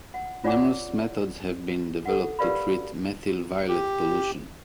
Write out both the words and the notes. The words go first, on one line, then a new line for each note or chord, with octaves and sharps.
Numerous methods have been developed to treat methyl violet pollution.
F#5
F4 C#5 D5 F#5 G#5 D6
A4 F#5
G4 A#4 B4 D5 F5 B5
G4